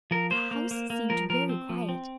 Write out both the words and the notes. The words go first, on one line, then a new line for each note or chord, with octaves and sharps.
The house seemed very quiet.
F3 A#4
A#3 C5
A#3
A#3
A#3
F3 A#4
F3 A#4
C4
F3
C4